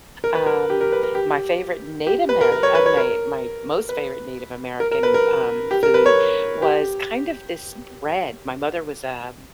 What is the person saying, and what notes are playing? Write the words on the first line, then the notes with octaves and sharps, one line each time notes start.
Um, my favorite Native Amer uh, may my most favorite Native American, um, food was kind of this bread my mother was, um,
A#4
B4
A#4
G4
A#4
B4
A#4
G4
G4
B4
A#4
A#4
C#5
B4
C#5
A#4
B4
A#4
A#4
B4
A#4
G4
A#4
B4
C#5
G4